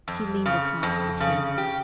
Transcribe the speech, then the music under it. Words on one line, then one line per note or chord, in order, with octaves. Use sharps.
She leaned across the table.
F2
C#3
F2
C#3
G4